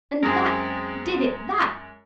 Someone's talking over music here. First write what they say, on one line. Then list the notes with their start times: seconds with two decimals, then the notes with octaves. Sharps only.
And THAT did it--that!
0.23 F#2 G#3 C4 G#4 A#4